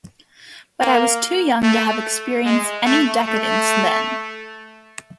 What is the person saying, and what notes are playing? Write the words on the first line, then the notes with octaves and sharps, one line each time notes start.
But I was too young to have experienced any decadence, then.
A#3
A3
G#3
A3
A3